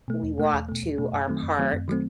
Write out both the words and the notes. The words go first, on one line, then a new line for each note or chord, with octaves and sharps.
we walk to our park
B2 A3
E2
B2 A3
E2
B2 A3
E2
B2 A3
F#2
D#3 F#3 A3 C4
F#2
D#3 F#3 A3 C4
F#2
D#3 F#3 A3 C4